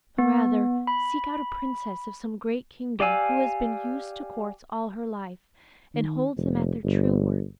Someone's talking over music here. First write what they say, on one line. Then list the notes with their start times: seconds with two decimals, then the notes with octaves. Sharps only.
But rather seek out a princess of some great kingdom, who has been used to courts all her life, and holds them at their true worth.
0.18 B3
0.87 B5
3.00 G4 D5 F5 G#5 E6
5.94 D#3
6.36 F1
6.84 G1